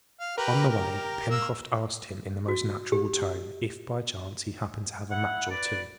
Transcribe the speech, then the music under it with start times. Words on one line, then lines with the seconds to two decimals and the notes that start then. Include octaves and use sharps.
On the way, Pencroft asked him in the most natural tone, if by chance he happened to have a match or two.
0.20 F5
0.38 G4 A#4 B4
0.69 G4
1.31 A#3 E6
2.48 F#4
2.92 G4
5.10 E4 F#5
5.50 B4 D5